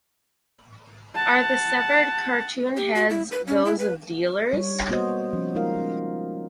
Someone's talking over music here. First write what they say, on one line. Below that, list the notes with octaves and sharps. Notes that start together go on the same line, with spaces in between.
Are the severed cartoon heads those of dealers?
F#5 A5
G4
F#4
E4
B4
C#4
E4
B4
G3 C#5
A#3 B3 F#4 C5 D#5
F3 C#4
G#3 D#4 F4 A#4 F5
C#4